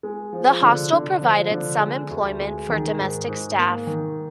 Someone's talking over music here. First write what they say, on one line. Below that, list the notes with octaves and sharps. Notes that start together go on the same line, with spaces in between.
The hostel provided some employment for domestic staff.
G#3
F3
D3
D3
F3
D3
G#3
D2
G#3
D#3
G#2
G#2
A#3
D#3